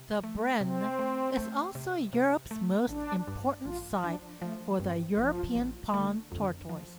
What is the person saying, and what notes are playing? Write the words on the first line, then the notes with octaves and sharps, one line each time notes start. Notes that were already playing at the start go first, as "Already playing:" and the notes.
The Brenne is also Europe's most important site for the European pond tortoise.
Already playing: C3
A3
C3 C4
A3
A3
C3
C3
A3
A1 D4
G2
A1 F4
F3 D4
F3 A3
G2 C4
A1 F3
A1
D3 A3
F2 D3
F3